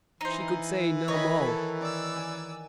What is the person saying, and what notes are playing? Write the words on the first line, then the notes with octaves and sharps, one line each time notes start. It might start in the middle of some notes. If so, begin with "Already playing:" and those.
She could say no more.
E3 D#4 C5
D#3 C#5 D#5 B5
A4
D5 E6
G#5